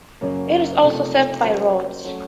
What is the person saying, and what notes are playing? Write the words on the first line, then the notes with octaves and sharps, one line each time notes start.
It is also served by roads.
F#2 C#3 F#3 A#3 C#4
C3 F3 A3 D#4 A#4
F#3 A#3 C#4 F#4 C5
F#3 A3 C#4